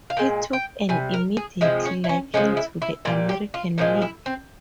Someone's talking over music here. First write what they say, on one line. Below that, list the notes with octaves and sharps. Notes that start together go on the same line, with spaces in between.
He took an immediate liking to the American League.
F5
A#2 G#3 G5
G5
C3 G3 G#5
A#4
G#4
C3 F3 G#3 E4
C#4
E4
C#4
C#3 F3 G#3 C#4
E4
E4
A#2 G3 F4
G4
F4
A#2 F3 G#3 C#4
E4
C4